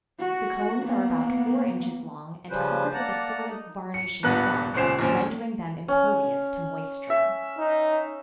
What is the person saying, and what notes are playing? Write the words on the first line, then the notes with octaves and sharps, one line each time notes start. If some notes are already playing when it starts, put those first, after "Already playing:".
The cones are about four inches long and covered with a sort of varnish and gum, rendering them impervious to moisture.
F#4
A#3 B3
C#3 F3 G3 C#4 B4 C5
A#3 D5 F#5 A5 A#5
D#4
C#7
D#1 G2 B3 B4 F#5 F#6
D#1 C#2 C#4 C5 C7 E7
A#1 D#2 C#4 C5
C#4
E5
D#4